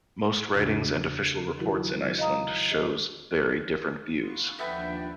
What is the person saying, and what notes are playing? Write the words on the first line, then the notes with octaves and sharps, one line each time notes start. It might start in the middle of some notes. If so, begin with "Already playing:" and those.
Most writings and official reports in Iceland shows very different views.
E2 C#3 D4 F#4
D#3 F#3 D#4 E4 F#4 A#4
D#5 F5 A#5 D#6
G#4 D#5
B3 F4 C#6
D#2 F3 B3 D4 A4 B4 E5 G5